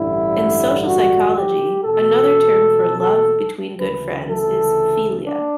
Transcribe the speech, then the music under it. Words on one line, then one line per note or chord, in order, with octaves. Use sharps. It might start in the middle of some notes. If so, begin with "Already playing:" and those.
In social psychology, another term for love between good friends is "philia".
Already playing: A1 G2 D3 E4
F#4
G4
E2 B2 A4
D2 C#3 E3 B4
A4
D4